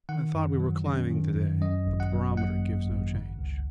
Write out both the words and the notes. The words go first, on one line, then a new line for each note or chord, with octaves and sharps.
I thought we were climbing to-day, but the barometer gives no change.
D#3 F#5
F#2
F#3
C#4
D#3
F#2
F#2 D#5
G#1
F#5
F#3
A#3 F#5
F#2
G#1
C#3
C#2